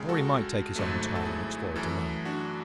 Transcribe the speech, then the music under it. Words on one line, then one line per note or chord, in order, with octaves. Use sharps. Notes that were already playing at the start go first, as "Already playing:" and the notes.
Or he might take his own time, and explore it alone.
Already playing: C#2 C#3 G#3
F#4 A4
G#1 G#2 F#3 A3
A4
E4 G#4
F#2 E3 A3
D4 F#4